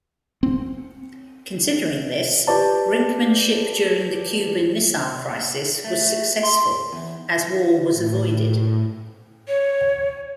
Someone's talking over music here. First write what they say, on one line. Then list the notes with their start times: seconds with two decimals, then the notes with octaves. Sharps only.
Considering this, Brinkmanship during the Cuban Missile Crisis was successful, as war was avoided.
0.43 C4
2.47 G4 B4 D5 A5
5.84 A3
6.43 C6
6.93 E2
7.92 A2
8.24 A2
9.48 C#5